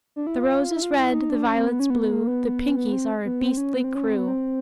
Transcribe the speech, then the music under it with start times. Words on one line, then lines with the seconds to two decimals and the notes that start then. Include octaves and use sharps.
"The rose is red, the violet's blue; The Pinkies are a beastly crew!"
0.16 D4
0.27 E4
0.38 F4
0.74 E4
0.82 F4
0.98 E4
1.13 D#4
1.30 D4
1.46 C#4
1.57 C4
1.68 B3
1.80 C#4
1.90 B3
2.00 B3
2.12 A#3
2.27 B3
2.76 B3
2.92 C4
3.25 B3
3.41 C4
3.57 C#4
3.74 B3
3.84 C4
3.95 C#4
4.06 C4
4.17 B3
4.28 C4